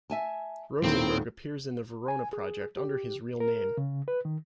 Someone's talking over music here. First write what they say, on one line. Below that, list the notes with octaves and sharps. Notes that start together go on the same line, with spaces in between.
Rosenberg appears in the Venona project under his real name.
E5 G#5 A5
D#1 D#3 A#3 C4 E4
G#5
G#4
G4
A#4
C#3
B4
D#3